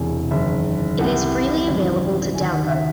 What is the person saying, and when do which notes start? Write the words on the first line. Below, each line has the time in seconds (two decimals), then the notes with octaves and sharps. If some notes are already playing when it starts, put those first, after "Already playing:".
It is freely available to download.
Already playing: E1 E2 C3 E3 G#5
0.31 F#1 E2 D#3 E5
0.99 C2 C3 E3 F#5
1.67 G#1 F#2 E3
2.35 D#2 D#3 G#5
2.51 F#5
2.68 E5